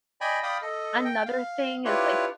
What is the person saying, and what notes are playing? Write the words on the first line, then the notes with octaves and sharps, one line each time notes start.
Another thing is like
D5 D#5 G5 G#5 B5
D5 F5 G5 B5 D#6
A4 D#5
G5
F5
D4 E4 F4 G4 B4 C#5